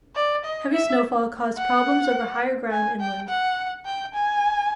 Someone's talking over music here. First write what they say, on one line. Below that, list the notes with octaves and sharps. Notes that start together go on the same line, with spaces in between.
Heavy snowfall caused problems over higher ground inland.
D5
D#5
E5
F#5
G#5
G5
F#5
G5
G#5